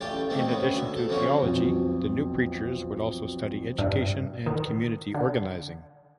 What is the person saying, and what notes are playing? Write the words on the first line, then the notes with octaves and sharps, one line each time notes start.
In addition to theology, the new preachers would also study education and community organizing.
A1 A3 F4 G4 D5 G5
C3 D#3 A3 A#3 C4
B3 C#4
D2 E5
A3
E3 F3 A#3 C4 C#4 F#4
E1 B1 F2
G2
D#3
D3